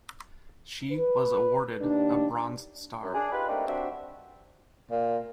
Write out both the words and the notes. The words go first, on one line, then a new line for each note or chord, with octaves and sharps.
She was awarded a Bronze Star.
B4
D#2 D4
F#2
D4 G#4
D#4 F4 G4 B4
A3 A#3 C4 D4 D#4 G4
G3 C4 D4 F#4 E5
A#2